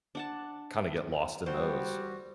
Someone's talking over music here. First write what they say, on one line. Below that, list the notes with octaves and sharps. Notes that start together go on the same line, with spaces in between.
kinda get lost in those.
D4 F#5 A5
G3 F#4 C5